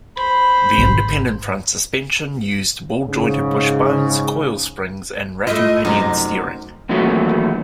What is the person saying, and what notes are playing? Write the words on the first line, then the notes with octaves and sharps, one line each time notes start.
The independent front suspension used ball-jointed wishbones, coil springs and rack-and-pinion steering.
C5 B5
G#1
G#2 C#3
A3 E4 F4 D#5
F#2 C3 G3 D#4
E2 A#2 D#3 F#3 A3